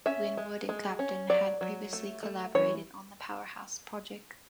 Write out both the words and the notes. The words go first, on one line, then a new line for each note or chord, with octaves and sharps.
Winwood and Clapton had previously collaborated on the "Powerhouse" project.
C#4 E5
G#3
G#3
C#4
F#3 D5
F#3
A3
A3
E3 C#5